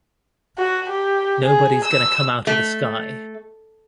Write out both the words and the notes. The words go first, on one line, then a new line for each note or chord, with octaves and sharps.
Nobody's gonna come out of the sky!
F#4
G4
G#4
E6
A3